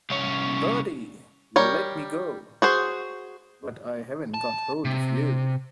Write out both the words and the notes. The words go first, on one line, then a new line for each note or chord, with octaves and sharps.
'Bertie — let me go!' 'But I haven't got hold of you.'
C2 C#4
G3 A#4 C#5
F#4 G#4 C5
A5
C3